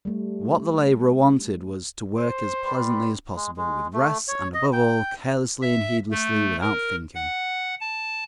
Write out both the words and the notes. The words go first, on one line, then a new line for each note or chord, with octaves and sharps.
What the laborer wanted was to work as pleasantly as possible, with rests, and above all, carelessly and heedlessly, without thinking.
G3 A3
C5
G3 B4 C6
G#3
G#3
A3
C#5
D#5
G5
E5
A3
A#4
F#5
A5